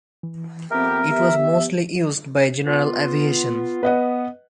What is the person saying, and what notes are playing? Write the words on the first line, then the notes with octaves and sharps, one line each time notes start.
It was mostly used by general aviation.
E3
F2 B3 C4 G4 A#4 E5
B3 G4 E5
B3 F4
B3 B4 D#5 F#5